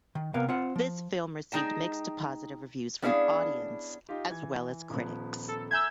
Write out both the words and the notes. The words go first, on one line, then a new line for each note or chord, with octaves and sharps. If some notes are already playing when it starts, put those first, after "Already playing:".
This film received mixed to positive reviews from audience as well as critics.
D#3
C3 B3 A#4 F5
C4 F4 C5 F#5
F3
G#3 D#4 G5 A5
B3 C#4 D4 E4 G#4 F5
D#4 F4 G4
E3 G#6
D#1 F3 B3
A4
E5 G#5 A#5 E6 G6 G#6